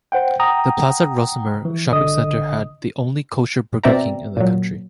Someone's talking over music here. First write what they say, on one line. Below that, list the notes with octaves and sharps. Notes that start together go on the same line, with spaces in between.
The Plaza Rohrmoser shopping center had the only kosher "Burger King" in the country.
C5 F#5 G5
F#5 G5 A#5 D#6
E3
G1 D3 D#5 D#6
B2 C4 D5 E5 G5 A#5
A#2 F#3